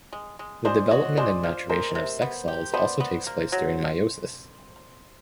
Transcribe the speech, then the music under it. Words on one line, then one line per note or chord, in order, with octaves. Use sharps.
The development and maturation of sex cells also takes place during meiosis.
G#3
G#3
G#3 C5 D5
F#4 C#5 D#5
G#3 C5 D5
F3
G#3 A#4 C5
C3
B3
G4
B3 C5 D5
B3
A#3
F#3